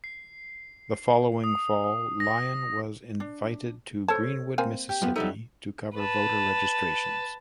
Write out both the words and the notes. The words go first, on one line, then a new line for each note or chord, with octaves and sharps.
The following fall Lyon was invited to Greenwood, Mississippi, to cover voter registrations.
C7
D#6
D#6
A#6
D4
A4 C5 C#5 A5
A#3 C4 G#5
G4
F#2 F3 B3
F#3 G3 D#4 A4 C5 E5
B4 A5